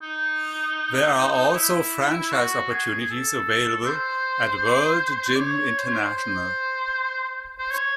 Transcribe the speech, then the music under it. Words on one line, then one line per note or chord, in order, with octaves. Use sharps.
There are also franchise opportunities available at World Gym International.
D#4
D#4
E4
F#4
G#4
G#4
A4
C5
D5
C#5
C5
C#5
C5
C5
C5
C#5